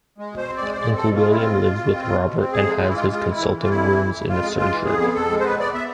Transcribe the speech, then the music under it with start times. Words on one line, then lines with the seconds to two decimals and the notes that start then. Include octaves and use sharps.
Uncle William lives with Robert and has his consulting rooms in the surgery.
0.18 G#3
0.32 B2 C5
0.48 C4
0.57 D5
0.62 G#3
0.72 C5
0.76 G#3 D5
0.92 C4 A4
1.06 B2
1.15 G#3 F4
1.30 E4
1.35 C4 F4
1.49 B2
1.64 B2
1.79 B2
1.93 C4
2.08 B2
2.22 B2
2.38 C4
2.52 F2 G#4
2.67 G#3
2.82 E3 F4
2.88 E4
2.95 G#3 F4
3.11 G#3 F4
3.25 E3 E4
3.39 E3
3.55 E3
3.63 F4
3.69 F2 E4
3.84 E3
3.98 F2
4.12 F2
4.27 F2 F4
4.42 G#3
4.56 G#3 F4
4.72 E3
4.85 F2 G#4
5.01 B3
5.15 F2 A4
5.30 G#3
5.40 C5
5.44 B3 B4
5.59 B3 D5
5.73 B3 E5